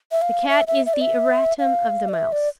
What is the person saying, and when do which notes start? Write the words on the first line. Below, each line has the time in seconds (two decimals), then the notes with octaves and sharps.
The cat is the erratum of the mouse.
0.12 E5
0.22 F5
0.49 E5
0.67 E5
0.86 E5
0.94 D5
1.01 E5
1.59 F5
2.09 D5
2.14 E5
2.32 D5